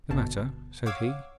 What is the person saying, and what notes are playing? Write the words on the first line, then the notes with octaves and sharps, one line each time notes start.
'The matter?' said he.
G1 B2 A5
C#5 F5 F#5 D6 E6 G#6